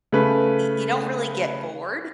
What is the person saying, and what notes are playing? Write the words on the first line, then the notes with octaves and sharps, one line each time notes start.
Y You don't really get bored
C#3 A3 B4